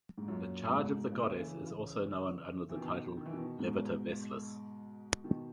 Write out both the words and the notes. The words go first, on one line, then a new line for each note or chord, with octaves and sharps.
The Charge of the Goddess is also known under the title "Leviter Veslis".
G#2
F#2 A#2
G#2 B2
A#2 C#3
C#3 E3
F#3
C#3 E3
E3
B2 D#3
D#3
E3
B2 D#3
G#2 B2
B2 D#3